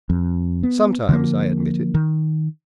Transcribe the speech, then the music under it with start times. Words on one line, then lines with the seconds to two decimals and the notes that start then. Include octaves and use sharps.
"Sometimes," I admitted.
0.10 F2
0.63 B3
1.09 D3 F3 G#3 A#3
1.95 D#3